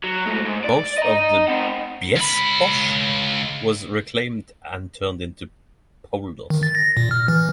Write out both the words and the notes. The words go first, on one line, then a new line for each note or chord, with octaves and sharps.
Most of the Biesbosch was reclaimed and turned into polders.
F#3
G#2 A3
G#2
D5
D#5 A#5
C4 F#5
C#2 B5
D#3
A6
A#6
A#2
F6
E3